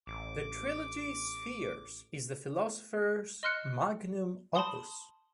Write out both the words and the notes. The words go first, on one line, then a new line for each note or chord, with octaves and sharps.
The trilogy "Spheres" is the philosopher's magnum opus.
A1 D6
D#5 C6 F6 F#6 C#7
A5 B5 C6 D#6